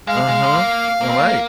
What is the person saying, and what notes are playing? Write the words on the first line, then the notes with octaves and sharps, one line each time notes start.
Uh-huh. Alright.
G#3 F5
G#3
G#3
A#3
A#3
C4
A#3